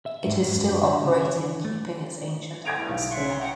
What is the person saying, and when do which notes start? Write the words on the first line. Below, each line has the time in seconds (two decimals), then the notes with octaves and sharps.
It is still operating keeping its ancient atmosphere.
0.06 E5
0.27 G#2
0.55 F#2
0.69 D4
0.83 D3
1.04 C#3
1.22 C#5
1.36 E3
1.65 A3
2.65 A4 C5 A#5 D#6 G#6 D7 F7
2.77 G3 A3 B3 E4
2.89 B1
3.11 E5 F#5 C6 C#6
3.29 C#5
3.41 F#5 G5 A#5 C#6